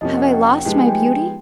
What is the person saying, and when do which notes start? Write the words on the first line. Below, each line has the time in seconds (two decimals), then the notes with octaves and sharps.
Have I lost my beauty?
0.01 F2 C3 F3 A#3 C#4 D#5
0.17 F#5
0.33 G5
0.65 F3 G#3 B3 D#4 G4 G5
0.78 G#5
0.89 G5